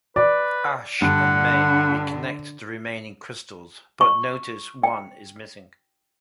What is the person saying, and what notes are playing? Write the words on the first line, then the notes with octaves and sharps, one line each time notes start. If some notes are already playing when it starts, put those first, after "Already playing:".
Ash and May reconnect the remaining crystals but notice one is missing.
B4 D5
G2 D3 F#5
C#6
G5